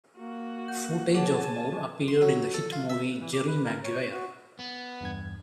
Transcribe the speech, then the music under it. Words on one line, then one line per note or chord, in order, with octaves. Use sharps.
Footage of Moore appeared in the hit movie "Jerry Maguire".
A#3 F#4
F#5 G6
G#4 C#5 G#5 A5 D6
C6
F#3
A4
F4
E5
E3
D6
B4
A#4
C#5
C#5
F#4
B3
E2 G2 G#6